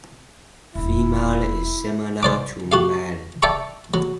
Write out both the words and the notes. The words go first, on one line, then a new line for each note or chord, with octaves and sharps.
Female is similar to male.
E1 F2 E4
C5 D5 D6
F#4 G4 F5
D5 E5 G5 A5 A#5 C#6
F#3